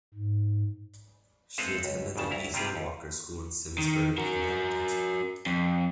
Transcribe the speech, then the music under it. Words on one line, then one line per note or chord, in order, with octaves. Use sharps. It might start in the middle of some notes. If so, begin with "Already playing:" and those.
She attended The Ethel Walker School in Simsbury, Connecticut.
G#2
G#3 C4 A4 B4 E5 F5
C#2
G1 G2 C#3 A5
D2 E4 A#5
C3 G3 F4 G4 G#4
D#2
D#3
F#4 A#4
F2